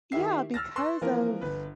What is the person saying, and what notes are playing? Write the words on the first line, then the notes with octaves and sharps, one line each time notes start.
Yeah, because of
D#3 E4 G4 E5 C7
E6 F6 A6 A#6
B4 C6 C#6 E6 F#6
E3 F3 A#3 C4 A#4
G1 B4